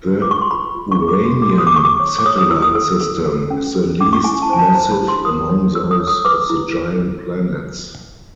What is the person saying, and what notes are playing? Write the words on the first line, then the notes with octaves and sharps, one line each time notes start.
The Uranian satellite system is the least massive among those of the giant planets.
F4 D6
C#6
C6
F4 B5
F4
C#6
G#4
D6
F#4
D6
F#4
D#6
D6
F#4 C#6
D6
C#5
D6
C#5 D#6
D#6
E4 E6
D#6
A4 E6
A4
A4
C#4
A4
C#4 D6
C#6
E4 G#5
A5
C5 G#5
A5
C5 A#5
B5
E4
C6
A#4 D#6
C#5
C#5 E6
D#6
C#5
D#6
B4 D6
E4